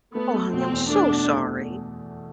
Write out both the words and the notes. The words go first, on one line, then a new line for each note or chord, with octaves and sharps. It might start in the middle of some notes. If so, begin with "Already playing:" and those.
Oh, honey, I'm so sorry.
A3 B3
A3
B2 C4
E2
A3 D4
B2
A3